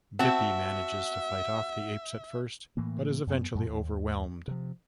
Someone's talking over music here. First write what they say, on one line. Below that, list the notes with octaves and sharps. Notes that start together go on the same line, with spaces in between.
Bippy manages to fight off the apes at first, but is eventually overwhelmed.
C4 F#4 E5 F#5 A5
A2 E3 A#3
F#2 B3
F#2 A#2
D#2
C3 F3